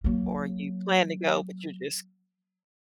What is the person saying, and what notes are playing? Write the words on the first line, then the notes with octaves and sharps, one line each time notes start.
or you plan to go, but you're just
F#3 A#3